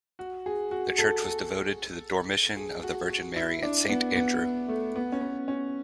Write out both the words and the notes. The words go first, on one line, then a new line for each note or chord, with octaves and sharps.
The church was devoted to the Dormition of the Virgin Mary and Saint Andrew.
F#4
G#4
F#4
A4
A4
G#4
F#4
F#4
E4
D4
B3
B3
A3
B3
C#4
B3
C#4